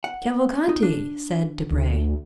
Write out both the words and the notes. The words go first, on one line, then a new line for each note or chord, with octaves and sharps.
"Cavalcanti!" said Debray.
F#5
D#4
D4
D2